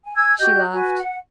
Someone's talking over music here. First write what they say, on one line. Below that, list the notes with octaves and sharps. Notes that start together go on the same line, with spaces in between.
She laughed.
G#5
G#5 E6 G#6
F#4 G4 D#5 G6
F#4 B4 G#5
F#5